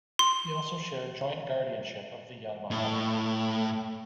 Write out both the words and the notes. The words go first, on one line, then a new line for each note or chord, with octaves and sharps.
He also shared joint guardianship of the young Muhammad.
C6
A2